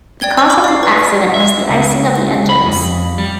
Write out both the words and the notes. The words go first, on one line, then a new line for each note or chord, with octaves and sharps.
The cause of the accident was the icing of the engines.
D5 G5 G#6 G7
C#6 E6
B5 D6
D5 C7
B4
E5
C#2
B5
F2
G3